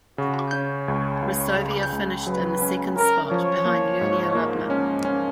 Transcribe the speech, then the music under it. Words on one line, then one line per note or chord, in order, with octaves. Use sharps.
Resovia finished in the second spot, behind Unia Lublin.
C#3 F#4
C#4 C#5
C#2
C#2
C#3
C#2
F#3 B4
C#4
C#4 A#4
F3 C#5
A#3
G#2
A#3
C#4
C#4